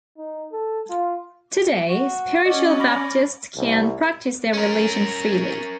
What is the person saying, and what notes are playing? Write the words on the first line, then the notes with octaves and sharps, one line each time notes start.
Today Spiritual Baptists can practise their religion freely.
D#4
A4
F4
F#4
C#4 D5 D#5
B5 A#6
C2
C#4 A#4